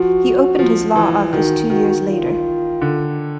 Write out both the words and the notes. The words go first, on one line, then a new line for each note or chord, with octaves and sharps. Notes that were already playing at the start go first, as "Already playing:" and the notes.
He opened his law office two years later.
Already playing: F3 F#4
F3
E3
D#3 F#4
D#3 F#4
F4
D3